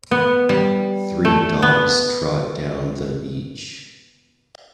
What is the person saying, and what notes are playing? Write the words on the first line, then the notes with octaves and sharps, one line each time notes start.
Three dogs trot down the beach.
B3
G3
A3
B3